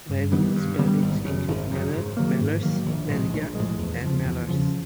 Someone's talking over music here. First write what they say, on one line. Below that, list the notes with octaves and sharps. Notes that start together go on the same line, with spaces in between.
Variant spellings include Meller, Mellers, Melliar and Mellors.
G2
D#3 G3 B3
G2
D#3 G3 B3
G#1
F#2 C#3
G#1
F#2 C#3
G#2
D#3 F#3 A#3
G#2
D#3 F#3 A#3
A#1
A2 F3 G#3
A#1
A2 F3 G#3
E2
C#3 F3
E2
C#3 F3